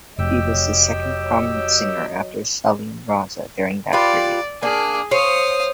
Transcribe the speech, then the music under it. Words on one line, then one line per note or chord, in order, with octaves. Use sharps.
He was the second prominent singer after Saleem Raza during that period.
F1 F#3 G4 C#5 D#5 G5 E6
F4 G4 B4 D5
A#3 D4 G#4
C5 C#5 F5 D#6